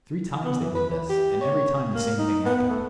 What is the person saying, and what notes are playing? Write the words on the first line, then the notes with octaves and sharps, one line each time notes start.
Three times they did this, and every time the same thing happened.
B3
E3
B4
E3
G4
C#5
A#3
D#4
B3
A3